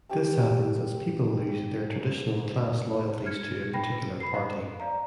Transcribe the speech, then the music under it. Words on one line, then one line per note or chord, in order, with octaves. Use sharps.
This happens as people lose their traditional class loyalties to a particular party.
G4 G5 A5
D#4 F6 G#6 C#7
G5 B5 A#6
B4
B5 C7
C5 D#5 F5
D5 F5 A#5